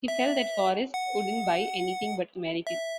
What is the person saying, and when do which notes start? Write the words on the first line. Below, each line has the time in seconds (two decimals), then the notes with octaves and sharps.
He felt that Forrest wouldn't buy anything but American.
0.08 E5
0.94 F#5
2.67 E5